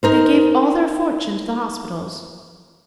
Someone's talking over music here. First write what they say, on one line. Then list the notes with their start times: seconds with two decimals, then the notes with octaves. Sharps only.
"They gave all their fortune to the hospitals."
0.03 D#4 A#4 C5